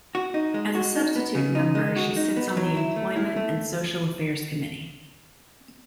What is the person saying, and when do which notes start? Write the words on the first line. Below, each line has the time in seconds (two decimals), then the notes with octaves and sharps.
As a substitute member she sits on the Employment and Social Affairs Committee.
0.15 F#4
0.34 D#4
0.54 G#3
0.75 F#4
0.96 D#4
1.16 B3
1.35 C#3
1.55 D#4
1.75 G#3
1.96 F#4
2.17 D#4
2.37 B3
2.57 F#3
2.77 E4
2.96 A3
3.16 E4
3.36 A3